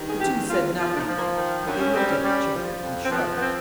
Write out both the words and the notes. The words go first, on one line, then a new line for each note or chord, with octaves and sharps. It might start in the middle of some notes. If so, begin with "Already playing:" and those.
The two said nothing, but they looked at each other and shrugged.
Already playing: G2 D#3
G#4
E2 G4
E2 F4
F3 F4
D4
D#4
F3
A#3
D#3
F#2 D4
C#4
G3 C4
C#4
G3
F3
F2
C4
F3 B3
B3
C4